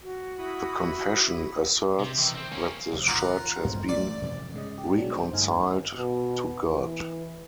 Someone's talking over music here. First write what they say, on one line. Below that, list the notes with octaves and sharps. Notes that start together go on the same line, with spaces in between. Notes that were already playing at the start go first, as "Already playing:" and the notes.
The confession asserts that the Church has been reconciled to God.
F#4
E4 B5 D#6
C3
D#3 E3
C4
A#3 C#4
F1 D2
D#2 F4 A#4 F#5
G2 G#3 C4
A1 A3 D5
F2 C3 E3
G#2 C#3 D#5
G4
B2 F#3 G#3 D4
D#4 C5
G1 A3 D#4 F5 G#5
D#2
B2
E3